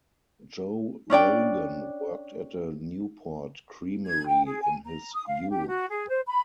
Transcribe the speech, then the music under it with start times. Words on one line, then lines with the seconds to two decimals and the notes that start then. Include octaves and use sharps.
Joe Rogan worked at a Newport Creamery in his youth.
1.10 C#4 D4 D5 G5
4.05 G#6
4.28 G5
4.45 G#4
4.62 G#5
4.85 A#5
5.14 D#6
5.27 F5
5.48 G4
5.68 F#4
5.90 G#4
6.08 C5
6.27 B5